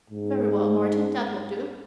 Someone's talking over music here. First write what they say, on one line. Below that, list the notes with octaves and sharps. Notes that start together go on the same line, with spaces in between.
"Very well, Morton, that will do."
G#2